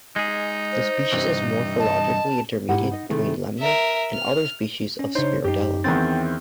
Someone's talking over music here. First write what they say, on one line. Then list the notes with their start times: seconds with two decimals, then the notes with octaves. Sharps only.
The species is morphologically intermediate between "Lemna" and other species of "Spirodela".
0.16 G#3 D#4 G#4
0.72 C5
1.13 G2 C3 E3
1.79 D#5 A5
2.69 G#2 E4 G4 F#5
2.91 D#4 D#5
3.09 C3 D#3 A3 C4 E4 G#4
3.59 A#4 E5
4.14 F6
4.99 C#4
5.15 C#3 D4 D#4 C5 C#5
5.44 F#2 D#4 G4
5.84 E2 D#3 C4 G5 A6